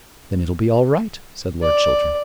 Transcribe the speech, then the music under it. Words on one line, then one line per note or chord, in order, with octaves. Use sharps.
"Then it'll be all right," said Lord Chiltern.
D5